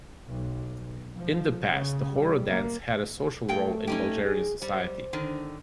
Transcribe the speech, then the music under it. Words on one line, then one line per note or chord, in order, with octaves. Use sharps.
In the past, the horo dance had a social role in Bulgarian society.
B1
F3
C#3
G3
A#3
A#2 A3 G5
C#4 D#4 G4
G#4
G3 C5
D3 D#3